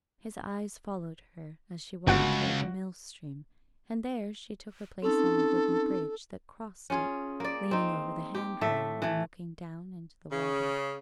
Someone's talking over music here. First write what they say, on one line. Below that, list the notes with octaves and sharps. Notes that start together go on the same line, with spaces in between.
His eyes followed her as she walked towards the mill-stream, and there she took her place on the wooden bridge that crossed it, leaning over the handrail, and looking down into the water.
G1 C#2 F#4 F#5 D7
C4 C#4 D#4 A4
C#4 F4 G#4
A#3 D5
C4 D#4
G4
A2 A3 E5
E3 A3
C#3